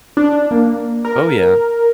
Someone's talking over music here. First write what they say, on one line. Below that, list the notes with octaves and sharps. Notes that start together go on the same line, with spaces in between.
Oh yeah.
D4
A#3
A#4